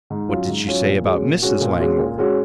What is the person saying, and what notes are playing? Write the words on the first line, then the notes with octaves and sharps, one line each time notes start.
"What did she say about Mrs. Langmore?"
G#2
F#3 C#4 F4
G#2
F#3 C#4 F4
A#2
G#3 C#4 F#4
A#2
G#3 C#4 F#4
A#2
G#3 C#4 F#4
A#2
G#3 C#4 F#4